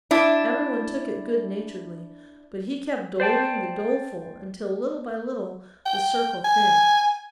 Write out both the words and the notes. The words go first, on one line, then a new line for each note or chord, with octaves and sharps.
Every one took it good-naturedly, but he kept doling the doleful until little by little the circle thinned.
D4 E4
C5 D5 G5 A5
G5
G#5